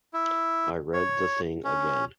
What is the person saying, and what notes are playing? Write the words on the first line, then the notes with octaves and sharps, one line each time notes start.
I read the thing again.
E4
C#5
C#4